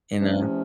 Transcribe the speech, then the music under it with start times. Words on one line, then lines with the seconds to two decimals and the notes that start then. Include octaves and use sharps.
You know?
0.19 E2 C3 F3 A3 C#4